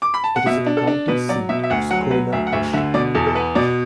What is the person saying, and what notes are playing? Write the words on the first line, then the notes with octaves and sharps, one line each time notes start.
It is the county seat of Schuyler County.
D6
B5
A5
F#5
B2 E5
D4
A4
D4
B2 B4
F#3 D5
B2 E5
E5
D2 F#5
F#3 F#5
F#3 B4
D2 E5
F#5
D2 E5
D3 E5
B2 D5
E2 A4
A4
B3 B4
B2 D5